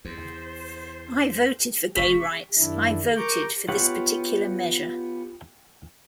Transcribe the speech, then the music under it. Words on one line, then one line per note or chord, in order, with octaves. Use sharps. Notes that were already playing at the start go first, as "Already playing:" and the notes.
I voted for gay rights, I voted for this particular measure.
E2 C5
F1 C#6 B6
F#2 D#3 D4 E4
A#4 A#5 C#6 D6 G6
B3 F4 G4 C#5 F#5